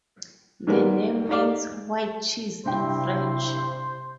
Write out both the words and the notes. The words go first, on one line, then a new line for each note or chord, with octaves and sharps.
The name means "white cheese" in French.
G#2 D#3 G3 G#3 A#3 B3
D#4 G4 D5 F5 D6
G2 C3 E4 C5 G5